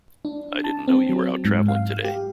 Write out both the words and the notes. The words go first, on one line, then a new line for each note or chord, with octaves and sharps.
I didn't know you were out travelling today.
D4
A5
C4
F#3
G#2
F5
G4